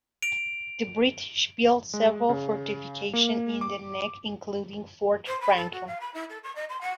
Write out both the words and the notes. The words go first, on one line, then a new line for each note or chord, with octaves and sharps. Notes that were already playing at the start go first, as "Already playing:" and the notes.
The British built several fortifications in the neck, including Fort Franklin.
D7 F7
G#3
C#3
A#3
D6
C5
B5
A4
F#4
F5
B5
E4
A4
C#6
D#5
C6
F#5